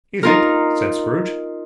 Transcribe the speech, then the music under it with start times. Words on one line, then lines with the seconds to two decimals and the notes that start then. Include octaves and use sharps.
'Is it?' said Scrooge.
0.23 D#4 F4 A#4